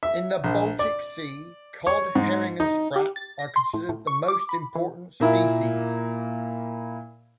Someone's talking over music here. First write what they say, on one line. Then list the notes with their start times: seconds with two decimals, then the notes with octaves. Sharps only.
In the Baltic Sea, cod, herring, and sprat are considered the most important species.
0.03 E5
0.44 A#1
0.79 D5
1.87 C#5
2.15 G#2
2.60 D#4
2.96 G4
3.16 A6
3.39 A#6
3.56 C6
3.74 A2
3.89 A2
4.07 C#6
4.28 D6
4.49 B5
4.75 E3
5.20 A#2 A#3 E4